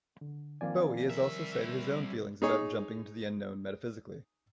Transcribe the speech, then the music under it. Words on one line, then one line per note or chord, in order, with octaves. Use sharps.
Bowie has also cited his own feelings about jumping into the unknown metaphysically.
D3
D#3 F3 A#3 C4 D5 G#5
C2 A#4 E5
D#4 G#4 C#5